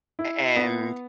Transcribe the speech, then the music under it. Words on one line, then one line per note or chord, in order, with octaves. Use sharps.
a and
E4
B3